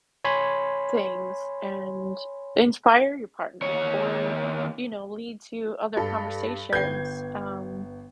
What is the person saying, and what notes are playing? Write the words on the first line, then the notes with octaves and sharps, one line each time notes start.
things and inspire your partner or you know, lead to other conversations, um
C#5 G#5 B5 C6
D#2 C#5
G2 A4
G1 B4 G5 G6 G#6 C7